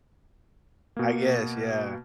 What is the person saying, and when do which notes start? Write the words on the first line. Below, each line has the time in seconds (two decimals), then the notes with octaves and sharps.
I guess. Yeah.
0.97 B2 A#3